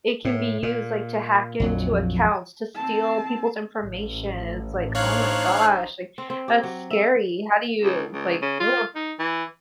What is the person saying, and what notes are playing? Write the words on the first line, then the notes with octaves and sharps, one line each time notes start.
it can be used, like, to hack into accounts, to steal people's information, it's like, "Oh my gosh," like, "that's scary, how do you," like "Uh."
A2
A#2
A#1 F2 F#3
C4 A5
A1
D4 D#4 C5 C#5 F5 F#6
C4
C4
G4
F#3
E5
C#2
C#2
C#3
F4
D#4
E3